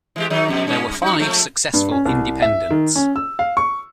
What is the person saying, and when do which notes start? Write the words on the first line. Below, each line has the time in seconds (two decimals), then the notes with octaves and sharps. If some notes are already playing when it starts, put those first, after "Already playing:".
There were five successful independents.
0.16 E3 G#3 G4
0.30 D#3 F#3 D#4
0.48 F2 B2
0.67 G2 C#4
1.02 D#4 F#4
1.19 F3 G#3 A3
1.73 G2
1.91 C#4
2.06 C2
2.42 E5
2.70 D#3
2.96 C#4
3.16 E6
3.39 F5
3.57 C#6